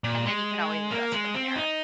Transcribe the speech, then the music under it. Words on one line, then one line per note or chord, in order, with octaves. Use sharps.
and then you can always adjust from there.
A#2
G#3
A#3
G#3
C4
D#4